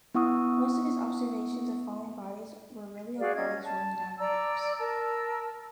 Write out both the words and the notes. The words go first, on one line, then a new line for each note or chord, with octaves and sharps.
Most of his observations of falling bodies were really of bodies rolling down ramps.
B3 E4 F#5 C#6 D#6 E6
F#4 G#4 D5 F5
C#4 D#5 G#6
A5
D5 A#5 E6
A#4 A5 E6